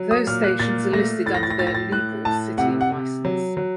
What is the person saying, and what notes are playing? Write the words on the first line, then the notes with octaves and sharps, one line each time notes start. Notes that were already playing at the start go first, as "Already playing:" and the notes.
Those stations are listed under their "legal" city of licence.
Already playing: F#3
D#6
A#2 F6
F#6
A#2 A6
A3 A#6
A2 A6
A#6
A6
A#6
A2 A6
A#6
A6
A2 F#6
A2 A5
C3 F#5
F#5
C3
F#3
F#3